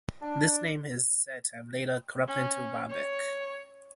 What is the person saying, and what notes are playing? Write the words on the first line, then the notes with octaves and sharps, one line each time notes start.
This name is said to have later corrupted into Waubach.
D4
C#4
C#5